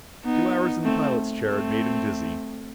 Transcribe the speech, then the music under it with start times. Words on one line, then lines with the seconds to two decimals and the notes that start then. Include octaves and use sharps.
Two hours in the pilot's chair had made him dizzy.
0.24 B3 D#4
0.84 A3 C4
1.43 A3 C4